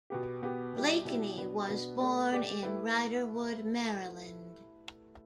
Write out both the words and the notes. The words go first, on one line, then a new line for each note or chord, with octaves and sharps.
Blakeney was born in Riderwood, Maryland.
B2 B3 G4
B2 B3 G4
B2 G3 E4 G4
B2 G3 E4 G4
B2 B3 D4 B4
B2 B3 D4 B4
A3 G4 D5
A3 G4 D5
A3 E4 B4